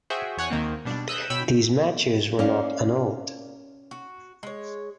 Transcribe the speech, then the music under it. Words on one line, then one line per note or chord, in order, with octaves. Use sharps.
These matches were not annulled.
F#4 G#4 C5 E5 G5
E2 C#5 F#5 G#5
D#2 D#3 A#3 C4
B2 G3 D4
D#6 E6 F#6 G6
B2 C#5 G5 B5 E6 B6
A#3 C#4 D5 F5
F#4
G#3 C#5